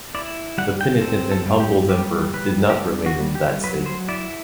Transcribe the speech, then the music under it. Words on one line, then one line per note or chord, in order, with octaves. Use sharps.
The penitent and humbled emperor did not remain in that state.
E4 D5
G3 F#5
G5
C4 A4
A4
G3
G4
G3 G4
G3 B4
G4
D4 A4
F#4
G3
G4
F#3 B4
C5
E4 D5